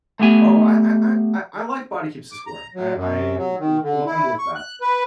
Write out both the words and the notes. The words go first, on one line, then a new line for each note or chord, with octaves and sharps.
Oh, I I I I I like Body Keeps the Score. I I'm I'm I'm with that.
A3 B3 G4 G#5
D6
A#5
F#3
F#2
F#3
D#3
D3
E4
C#6
F#6
B4